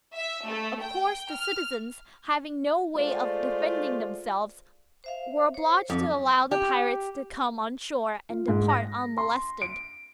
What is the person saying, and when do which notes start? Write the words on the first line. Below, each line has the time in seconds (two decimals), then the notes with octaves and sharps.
Of course the citizens, having no way of defending themselves, were obliged to allow the pirates to come on shore and depart unmolested.
0.15 E5
0.46 A3
0.82 G5
1.32 F6
2.95 G#3 A3 F4 C5 D5
5.04 C5 E5 F5
5.54 C5 C#5
5.90 F2 F#3 D#4 D6
6.51 G4
8.29 F4
8.48 G#2
8.69 A#6
9.17 C6
9.62 D7